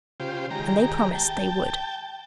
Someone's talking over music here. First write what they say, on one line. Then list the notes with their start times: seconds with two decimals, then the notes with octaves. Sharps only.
And they promised they would.
0.20 C#3 F4 G4 C5
0.51 D#3 G#3 G4 A#5
1.15 G5 A5